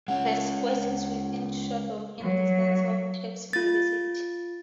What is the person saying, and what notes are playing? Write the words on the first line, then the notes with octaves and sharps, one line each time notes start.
The square is within a short walking distance of Tufts University.
G#3 C#4 F#5
F#3
F4 A6